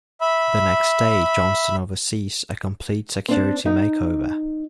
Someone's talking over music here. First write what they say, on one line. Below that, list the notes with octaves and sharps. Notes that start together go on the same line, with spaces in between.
The next day, Johnston oversees a complete security makeover.
E5 B5
C4 D4
D#4